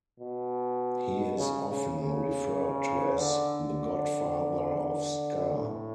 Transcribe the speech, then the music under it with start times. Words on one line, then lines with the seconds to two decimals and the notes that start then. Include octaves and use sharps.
He is often referred to as the "Godfather of Ska".
0.20 B2
1.38 C#3
1.69 C#3
1.99 C#3
3.18 D3
5.58 A2